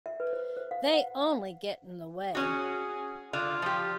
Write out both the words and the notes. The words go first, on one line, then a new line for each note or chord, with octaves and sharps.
They only get in the way.
E5
B4
C5
C5
F5
F#5
C#4 F#4 G#4
D3 F4 F5
F3 G4